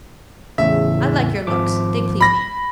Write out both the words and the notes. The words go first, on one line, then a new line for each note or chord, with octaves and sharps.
I like your looks; they please me.
E2 A2 C#3 E5
G#1 F3 D6
B5 A#6